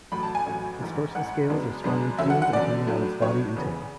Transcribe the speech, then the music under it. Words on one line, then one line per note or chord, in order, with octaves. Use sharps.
Its dorsal scales are strongly keeled and pointed on its body and tail.
A1 A2 F#3 B5
A5
G#5
A1 A2 F#3
A1 G#2 E3
A1 G#2 E3 F#5
F#2 C#3 G#3 B3 D4
F#2 C#3 G#3 B3 D4
E2 D3 F#3 C#4 E5
F#5
F#5
E2 D3 F#3 C#4 D5
A2 F#3 A3 D4
A2 F#3 A3 D4 C#5
E2 C#3 E3 B3